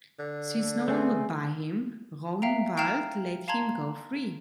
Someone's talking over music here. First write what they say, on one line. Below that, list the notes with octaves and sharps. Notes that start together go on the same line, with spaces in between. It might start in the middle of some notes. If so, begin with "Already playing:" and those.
Since no one would buy him, Rognvald let him go free.
D3
A4
A3 C4 G#4 B4 G#5
E5 F5 G5 A#5
F5 G5 A#5 F6 C7 E7
F5 A5 A#5 C6 G#6 F#7